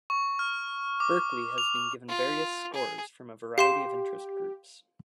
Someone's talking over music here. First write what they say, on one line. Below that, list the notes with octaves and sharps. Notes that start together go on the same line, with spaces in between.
Berkley has been given various scores from a variety of interest groups.
C#6
F6
D6
F7
F4
G#4
G4 F5 C6 E7